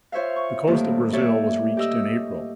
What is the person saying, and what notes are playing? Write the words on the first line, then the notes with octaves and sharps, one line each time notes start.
The coast of Brazil was reached in April.
F4 C5 C#5 E5 F5
C#6
A2 C3 D#3 G3 A3 A#3
G4 C#5 D5 E5
G4 D#5 E6